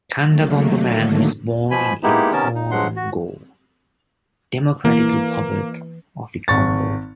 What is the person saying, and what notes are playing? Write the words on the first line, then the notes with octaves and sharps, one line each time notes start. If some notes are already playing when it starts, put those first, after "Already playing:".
Kanda Bongo Man was born in Inongo, Democratic Republic of the Congo.
D3 D#3 F#3 A3 A#3
B2 F3 G#5 B5
G#3 A#3 B3 D#4 E4 G4
C3 D#3 B3 C#4 A#4 A5
D#4
G2 F3 F#3 G#3 F#5 C6
F#4
E3 A#3
G#1 C#6 A6